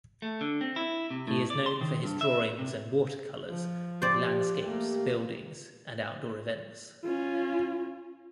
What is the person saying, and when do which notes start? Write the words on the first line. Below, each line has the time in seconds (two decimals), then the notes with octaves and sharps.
He is known for his drawings and watercolours of landscapes, buildings and outdoor events.
0.22 A3
0.41 D3
0.61 C4
0.76 E4
1.11 C3
1.28 A2
1.50 D5
1.66 C6
1.81 D#3
2.03 G2
2.21 E5
2.59 C3
3.50 F3
4.02 G4 C5 D5
4.64 A3 A#3 G4
7.04 C#4 F4